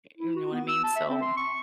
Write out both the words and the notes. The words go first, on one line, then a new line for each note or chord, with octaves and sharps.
Eh, you know what I mean? So
E4
F#4
B3
E6
A5
E5
C4
C6
C#6